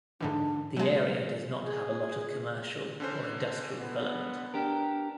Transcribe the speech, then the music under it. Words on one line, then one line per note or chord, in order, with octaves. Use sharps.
The area does not have a lot of commercial or industrial development.
G#2 D3 E3 D4
F#3 G#3 A#3
G#4
D3 C#4 C5
B3
D4 G4 A#4